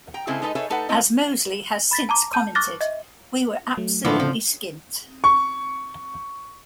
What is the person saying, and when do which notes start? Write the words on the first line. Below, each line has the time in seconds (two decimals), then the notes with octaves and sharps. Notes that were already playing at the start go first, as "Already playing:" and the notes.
As Mosley has since commented: We were absolutely skint.
0.14 G5 A#5
0.27 C#3 G#3 C4 E4 G#4 A4
0.42 G#3 D#4 A4 B4 D5 D#5
0.55 D#4 G#4 A4 B4 C#5 E5
0.70 A3 D#4 A4 B4 F#5
0.89 A3 C4 E4 D#5
1.91 B5 A6 B6
2.09 A5 A#5 D6
2.33 A5 G6 D#7
2.55 C#6 D6 F6 F#6 A6 A#6
2.81 D#5 E5
3.77 F#3 A3
4.05 A2 D3 E3 F3 B3 D4 A4
4.20 C#3 F3 C4
5.24 C#6